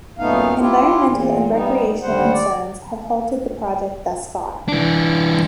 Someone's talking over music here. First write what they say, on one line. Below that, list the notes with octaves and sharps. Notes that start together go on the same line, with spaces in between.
Environmental and recreational concerns have halted the project thus far.
F#2 A#2 A3 B3 D#4 F5
E4 F4 G4
E2 A#2
G3 B3 D#4
D#2 D3 G3 C5 F#5
D5
E3 D4